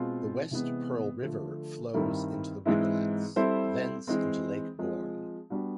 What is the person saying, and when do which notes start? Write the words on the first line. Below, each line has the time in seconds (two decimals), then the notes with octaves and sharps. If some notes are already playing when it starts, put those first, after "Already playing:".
The West Pearl River flows into The Rigolets, thence into Lake Borgne.
Already playing: B2 G#3 C4 F4
0.51 C3 E3 G#3 B3
1.22 D3 F3 A3
1.94 G2 D#3 G3 C4 E4
2.65 G#2 E3 G#3 C4 E4
3.36 G3 C4 E4 A4 C5
4.07 E3 G#3 C4
4.78 F3 G#3 C4
5.50 G3 B3 D4 F#4